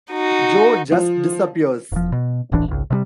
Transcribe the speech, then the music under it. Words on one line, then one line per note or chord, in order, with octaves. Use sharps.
Joe just disappears.
D#4 F#4
F3
E1 F3
B2
D1 A1 E3 D4
G#1 C#2
C3 D#3 G3